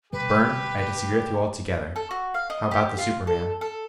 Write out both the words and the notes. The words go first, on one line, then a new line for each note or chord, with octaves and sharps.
"Burne, I disagree with you altogether; how about the superman?"
D2 B2 G3 G4 B4
A4
F#4
F5
D#5
G4
F4
A4
A4